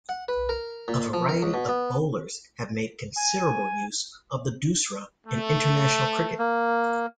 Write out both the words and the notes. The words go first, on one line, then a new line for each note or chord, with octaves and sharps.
A variety of bowlers have made considerable use of the doosra in international cricket.
F#5
B4
A#4
A#2
F3
A#4
C#2
B2
B3
G#5
A3
A#3